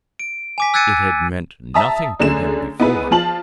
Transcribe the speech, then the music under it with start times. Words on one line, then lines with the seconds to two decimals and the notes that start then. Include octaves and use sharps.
It had meant nothing to him before.
0.19 D7
0.58 G#5 D6 B6
0.74 E6 F#6 G#6 A6 C#7 D#7
1.74 E5 A5 A#5 D#6
2.20 F#2 D3 A3 G#4 E7
2.80 B3 D#4 E4 G#4 B4
3.11 F3 F4 A5 F#7